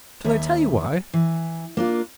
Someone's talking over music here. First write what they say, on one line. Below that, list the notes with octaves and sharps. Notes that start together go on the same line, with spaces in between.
Shall I tell you why?
D#2 E5
E3
A#3 D4 F4